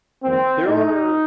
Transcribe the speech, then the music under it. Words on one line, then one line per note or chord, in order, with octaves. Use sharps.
There are
F2 D#3 G3 A#3 C4
A2 A3 D#4